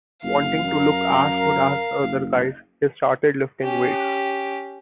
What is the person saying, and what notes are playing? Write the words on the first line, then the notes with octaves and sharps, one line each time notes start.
Wanting to "look as good as the other guys", he started lifting weights.
F#1 F5
F#2 A#4
F#1
C#4 G4